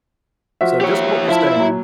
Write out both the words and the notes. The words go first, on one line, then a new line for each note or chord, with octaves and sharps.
So just what you're saying
F3 F#4 E5
G4 C#5
F3 E4 E5 F5 A5
A#2 F#3